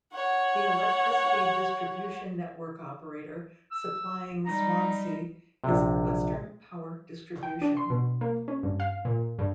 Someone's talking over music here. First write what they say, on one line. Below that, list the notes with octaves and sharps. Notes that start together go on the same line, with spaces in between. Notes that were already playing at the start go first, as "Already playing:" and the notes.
The electricity distribution network operator supplying Swansea is Western Power Distribution.
C#5 F#5
E6
G3 D#4 A#5
A#1 C3
G5
D4
C6
B2
A#3
C#4
G2
F5
A#2
G2